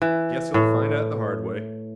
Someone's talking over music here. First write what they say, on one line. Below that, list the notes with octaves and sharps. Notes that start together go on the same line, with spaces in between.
"Guess he'll find out the hard way."
E3
A2